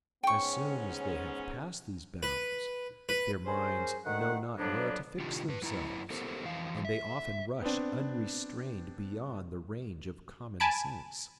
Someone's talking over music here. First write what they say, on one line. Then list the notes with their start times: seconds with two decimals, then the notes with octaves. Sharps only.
As soon as they have passed these bounds, their minds know not where to fix themselves, and they often rush unrestrained beyond the range of common-sense.
0.23 G#2 B3 C#4 G5 C#6
2.23 B4
3.09 B4
3.46 C#4 G#4 A#4 C5
4.05 D2 D#3 A3 F#5
4.58 F2 D3 F#3 A#3 B3 D4
5.20 C3 D#3 D4 F4 G4
5.48 G2 B4
5.62 F#2 E4 B4 A#5
6.10 B3 G4 A4 A#4 C5
6.45 F2 E3 F5
6.85 E5
7.62 B3 C4 D4
10.60 G#5 A5 B5 D7